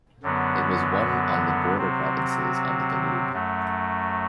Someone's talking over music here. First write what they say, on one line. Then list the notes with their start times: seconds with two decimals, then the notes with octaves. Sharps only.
It was one on the border provinces on the Danube.
0.23 F#2 D3 F#3 B3
1.78 C3 F#3 C4
3.32 F#2 F#3 A3